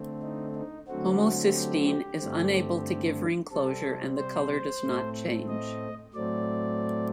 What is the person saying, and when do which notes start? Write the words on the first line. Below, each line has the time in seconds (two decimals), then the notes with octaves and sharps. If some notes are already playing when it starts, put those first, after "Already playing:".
Homocysteine is unable to give ring closure and the color does not change.
Already playing: D3 A3 C4
0.22 D#4
0.55 D#4
0.88 D3 F#3 A3 C4 F#4
1.54 G4
1.87 G4
2.20 G2 D3 A3 C4
3.51 C3 G3 C4 A4
4.17 C5
4.82 A2 A3 C4
5.48 D#5
6.14 A2 F#3 A3 C4 D5